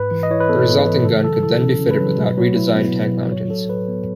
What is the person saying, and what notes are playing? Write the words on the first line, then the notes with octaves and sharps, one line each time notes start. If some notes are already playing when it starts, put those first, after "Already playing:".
The resulting gun could then be fitted without redesigned tank mountings.
Already playing: G#2 B4
E3
D#5
E4 C#5
B4
B3 A4
G#2
E3
C#3 A4
F#3 A4
E4 A4
C#4 A4
C#3
B4
F#3
B2
F#3
E4
B3
B2
F#3
A2 C#5
F#3 A4
A2 B4
B3